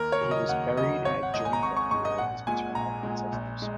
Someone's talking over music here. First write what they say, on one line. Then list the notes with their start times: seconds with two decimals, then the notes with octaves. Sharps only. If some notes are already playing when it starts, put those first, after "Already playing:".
He was buried at Joinville near his paternal ancestors.
Already playing: D#2 A#4
0.12 C#5
0.21 C#3 F#3
0.31 D#5
0.49 D#2 F#5
0.77 C#3 F#3 D#5
1.05 G#1 C#5
1.23 F#5
1.34 G#2 G#3 D#5
1.45 G#5
1.53 A#5
1.62 G#1 C#6
1.77 C#6
1.90 G#2 G#3 C#6
2.05 D#5
2.18 A#1 F#5
2.47 A#2 G#3 G#5
2.75 A#1 A#5
3.03 A#2 G#3
3.32 A#1
3.62 G#3